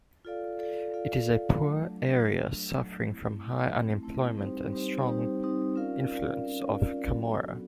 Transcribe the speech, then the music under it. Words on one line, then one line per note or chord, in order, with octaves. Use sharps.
It is a poor area, suffering from high unemployment and strong influence of Camorra.
F4 A4 D5 F5
F4 A4 D5 F5
F4 A4 D5 F5
F4 A4 D5 F5
F#3 A3 D4
F#3 A3 D4
F#3 A3 D4
F#3 A3 D4
A3 C4 E4
A3 C4 E4
A3 C4 E4
A3 C4 E4
G3 C4 D#4 G4 C5
G3 C4 D#4 G4 C5
G3 C4 D#4 G4 C5
G3 C4 D#4 G4 C5
C#4 F4 A#4 D5 F5
C#4 F4 A#4 D5 F5
C#4 F4 A#4 D5 F5
C#4 F4 A#4 D5 F5
F#3 B3 D4 F#4 A4
F#3 B3 D4 F#4 A4